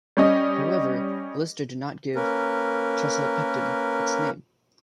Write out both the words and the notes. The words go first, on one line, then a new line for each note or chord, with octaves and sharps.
However, Lister did not give "Chesapecten" its name.
G3 C#4 D#5
A#3 C#4 A#4 B4